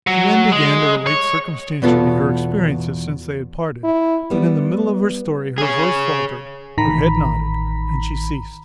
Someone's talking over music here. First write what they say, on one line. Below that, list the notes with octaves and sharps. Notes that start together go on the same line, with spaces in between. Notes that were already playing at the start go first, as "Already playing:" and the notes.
She then began to relate circumstantially her experiences since they had parted; but in the middle of her story her voice faltered, her head nodded, and she ceased.
F#3
G#3
C#5
E2 B2 B3 F4 A4
E4
G3 B3
G#4 C#5
A1 D#3 A#5 B5 B6